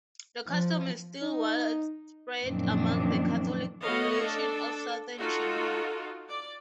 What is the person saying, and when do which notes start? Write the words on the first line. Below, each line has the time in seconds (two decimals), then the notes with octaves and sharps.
The custom is still widespread among the Catholic population of Southern Germany.
0.48 F3
1.23 D#4
2.44 F#2 A#2 D#3 F3 C4 D4
3.82 A3 B3 F#4 C#5 D#5 F5
4.22 D4 A4
5.19 D#4 F4 F#4 A4
6.29 D5